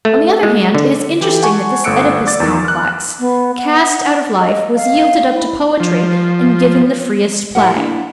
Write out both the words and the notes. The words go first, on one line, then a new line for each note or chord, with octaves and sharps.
On the other hand, it is interesting that this Oedipus-complex, cast out of life, was yielded up to poetry and given the freest play.
A3
G#3
D3
E3 G4 A4
F#5 G#5 A5 C#6
G1 A3 E6 F#6 C#7 D7
D5 D6 A6
E2 D#3
F6 F#6
B3
F#5
D#5
F5
E4
F3
A2 A3 E4 G4 A#4 F#5
A#3 C4 D4 E4